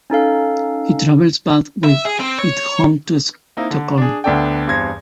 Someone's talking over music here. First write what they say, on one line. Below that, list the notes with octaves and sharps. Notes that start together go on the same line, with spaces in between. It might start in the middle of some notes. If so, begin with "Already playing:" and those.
He travels back with it home to Stockholm.
C#4 D#4 A4 F5
E5
G#4
C4
C#5
A#3 C4 D#4 E4
D3
D4 G#4
D2 B3 D4 A4 D5 G5
E2 G2 C4 C6 G#6 A#6